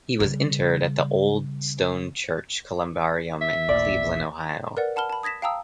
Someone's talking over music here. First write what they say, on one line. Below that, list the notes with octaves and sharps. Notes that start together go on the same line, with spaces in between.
He was interred at the Old Stone Church columbarium in Cleveland, Ohio.
C#3 G3
E5
A1 D#2 A#2 D5
A#4 B4 D5 F#5
F#5 A5 B5 F6 G7
A5 B5
D#6 G#6 A#6 B6 E7
F5 G5 A5 A#5 D#6 E6